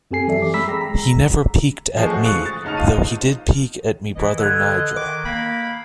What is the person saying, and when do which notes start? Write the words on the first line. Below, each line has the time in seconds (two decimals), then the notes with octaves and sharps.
He never peeked at me, though he did peek at me brother Nigel.
0.11 F#2 C4 G4 A4 G#5 C7
0.28 E3 F#3 A4 D5 E5
0.42 D6
0.54 G#3 A#5 B5 E6 B6
0.68 G#4 G5 A#6
0.81 A#5
1.97 F3 G#3 C#4
2.09 A3 F#4 G#4
2.24 F5 C#6 D#6 F#6 C#7
2.46 A6
2.64 A1 C#3 D#4 A5 F6 F7
2.77 G#1 D#4 F4 D#7
4.16 E3 D#5
4.38 D3 E6 F#6 G#6
4.96 D#3 D6
5.25 A#3 B5